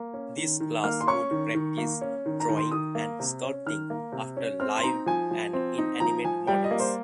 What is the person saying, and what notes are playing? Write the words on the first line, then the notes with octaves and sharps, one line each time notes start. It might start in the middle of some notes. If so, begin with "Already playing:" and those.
This class would practice drawing and sculpting after live and inanimate models.
Already playing: A#3
C#4
D#3
D#3
A#3 F6
C6
C#4 C#6
D#3
D#3
A#3
C#4
D#3
A#5
D#3
C6
D#3 D#6
A#3
C3
C#4
D#3 F6
A#3
C3
C#4
C4 F6
C6
D#4 A#5
F3 G#5
F3
C4
D#4
F3 A#5
F3 G#5
G3 G5
D#5
A#3
C5